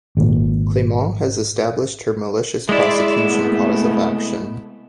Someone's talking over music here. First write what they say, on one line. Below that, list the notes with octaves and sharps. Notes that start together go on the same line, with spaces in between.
Claimant has established her malicious prosecution cause of action.
G#1 A#2
G#3 E4 D5 E5 C6
C3 A3 B3